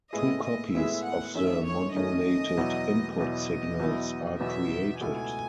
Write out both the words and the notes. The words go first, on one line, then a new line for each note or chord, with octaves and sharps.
Two copies of the modulated input signals are created.
A2 G#3 B3 E4 G#4 D#5
D#5
A2 G#3 B3 E4 G#4 E5
F#5
F#2 D#3 A3 C#4 E5
C#5
F#2 D#3 A3 C#4 D#5
E2 B2 F#3 B3 E4
E2 B2 F#3 B3 E4 D#5
E2 B2 F#3 B3 E4
E2 B2 F#3 B3 E4 E5
C#2 B2 A3 E4 G#5